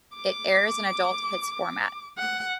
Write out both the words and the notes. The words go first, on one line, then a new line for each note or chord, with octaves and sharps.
It airs an adult hits format.
D6
F#5